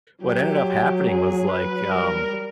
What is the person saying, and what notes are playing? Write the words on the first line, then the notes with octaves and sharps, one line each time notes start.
what ended up happening was like, um,
F#3 G4
G#4
B4
G3 A#4